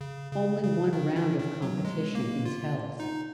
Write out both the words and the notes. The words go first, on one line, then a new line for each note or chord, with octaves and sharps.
Only one round of competition is held.
C#3
C#3
C#3
D#3
D#3
D#3
F#3
G#3
A#3
F4
D#4